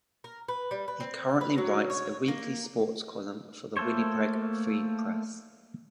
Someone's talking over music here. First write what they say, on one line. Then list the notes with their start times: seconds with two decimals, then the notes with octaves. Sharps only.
He currently writes a weekly sports column for the "Winnipeg Free Press".
0.24 A#4
0.48 B4
0.71 G3
0.88 B4
1.00 C4
1.41 B4
1.58 F#3
1.90 C#5
2.28 A#3
3.77 A3 A#3 A4 C5 C#5